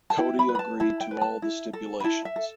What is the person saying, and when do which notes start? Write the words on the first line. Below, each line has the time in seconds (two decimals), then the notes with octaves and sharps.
Cody agreed to all the stipulations.
0.10 A5
0.17 E4 G5
0.39 B5
0.49 B4
0.55 B5
0.59 A5
0.80 E4 A5
1.01 G5
1.11 B4
1.21 A5
1.42 E4
1.73 A4
2.00 B5
2.04 E4 A5
2.25 E5
2.36 A4